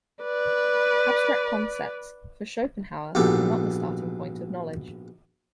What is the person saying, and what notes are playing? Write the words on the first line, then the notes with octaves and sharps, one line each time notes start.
Abstract concepts, for Schopenhauer, are not the starting point of knowledge.
B4 D5
A#1 G#2 B2 G4 A4